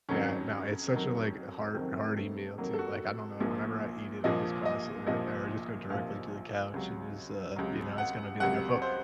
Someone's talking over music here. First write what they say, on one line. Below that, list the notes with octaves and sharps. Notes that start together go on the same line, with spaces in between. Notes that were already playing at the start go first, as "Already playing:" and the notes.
Yeah, no. It's such a, like, heart hearty meal, too. Like, I don't know, whenever I eat it, I just constantly, like, I r just go directly to the couch and just, uh, you know, it's gonna be like a foot
F2 D#3 F#3 C#4
F2 D#3 F#3
F2 D#3 F#3 C4
A3
F2 D#3 F#3 A#3
A4
F#4
A#1 A#2 F3
A#1 A#2 F3 D#5
D#5
A#1 A#2 F3 D#5
A#1 A#2 F3 F5
C#2 C3 F#3
C#2 C3 F#3
F#5
C#2 C3 F#3 F#5
C5